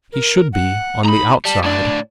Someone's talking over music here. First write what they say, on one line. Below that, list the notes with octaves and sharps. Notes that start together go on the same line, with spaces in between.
He should be on the outside.
A#4
F#5
D#4 A#5 B5
G3 A5
A2 D4 D5